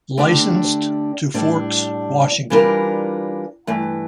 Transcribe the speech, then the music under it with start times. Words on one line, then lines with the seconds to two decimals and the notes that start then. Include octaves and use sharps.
Licensed to Forks, Washington.
0.18 D3 A3 D4 G4
1.34 A2 G3 D4
2.50 E3 G3 D4 F4 A#4
3.67 G2 E3 A3